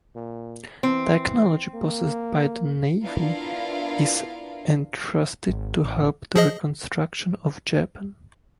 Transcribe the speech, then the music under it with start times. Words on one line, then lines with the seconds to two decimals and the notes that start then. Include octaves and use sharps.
Technology possessed by the Navy Is entrusted to help the reconstruction of Japan.
0.15 A#2
0.83 E3 C4
1.74 A#3
3.04 B3 D4 E4 F4 A#4 F5
5.48 G#1
5.84 A1
6.36 F3 G#4 D#5